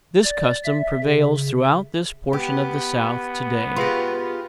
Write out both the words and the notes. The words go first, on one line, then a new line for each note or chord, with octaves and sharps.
This custom prevails throughout this portion of the South to-day.
D5
E5
C#3
B3 G4
F4 G4 G#4 B4 C6